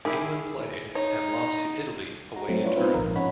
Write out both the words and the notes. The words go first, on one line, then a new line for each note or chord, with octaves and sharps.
England played, and lost to, Italy away in Turin.
D#3 E4 G4 G#4
D#4 C#5
F#4 A#5
F#3 A3 C4
C#4 D4 E4 F4 B4 C#5
B3 C4 D#4 F4 B4
A#1 G#2 F3 A#4 F5
C#4 D#4 C#5 F#5 B5